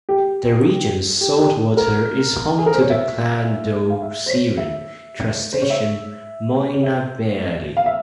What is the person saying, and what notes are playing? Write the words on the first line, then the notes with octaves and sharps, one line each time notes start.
The region's salt water is home to the cladoceran crustacean "Moina belli".
G4
G4
G4
G#4
A#4
G#4
A#4
C5
C#5
E5
F5
E5
C5
C#5
E5
C5
C#5
E5
C#5
E5
F5
E5